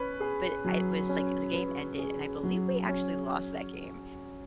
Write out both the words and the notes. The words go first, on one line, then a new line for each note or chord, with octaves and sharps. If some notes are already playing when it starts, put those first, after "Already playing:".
but I was, like the game ended, and I believe we actually lost that game.
Already playing: C#4 B4
G#4
F#3
C#4
B4
G#4
F#3
C#4